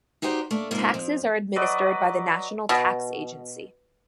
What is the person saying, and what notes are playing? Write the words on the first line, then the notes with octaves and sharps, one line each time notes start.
Taxes are administered by the National Tax Agency.
D#4 F#4 G4 C5 D5
A3 A#3 D4
G#2 C3 A#3 F4
F2
F#3 B4 D5 D#5
B2